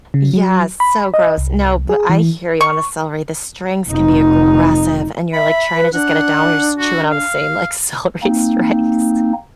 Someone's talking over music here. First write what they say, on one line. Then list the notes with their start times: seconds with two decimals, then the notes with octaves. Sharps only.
Yeah, so gross. No, but I hear you on the celery, the strings can be aggressive, and you're, like, trying to just get it down, you're just chewing on the same, like, celery strings.
0.14 C#3
0.33 F#3
0.80 B5
1.14 D#5
1.38 C2
1.89 G#4
2.10 E3
2.61 C#6
3.89 F1 D#4
5.34 E5 B5
5.75 B4
5.94 D4 F#5
6.79 F#4
7.12 F5
8.23 A#3 C4 D#4